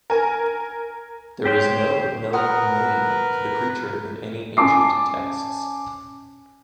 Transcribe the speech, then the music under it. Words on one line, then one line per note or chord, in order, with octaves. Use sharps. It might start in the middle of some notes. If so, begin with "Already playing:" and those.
There is no known name for the creature in any ancient texts.
A#4 G#5
G4 C5 C#5 G5
A#4 B4 F#5 D#6 F6
C#4 G#5 A5 D6 C7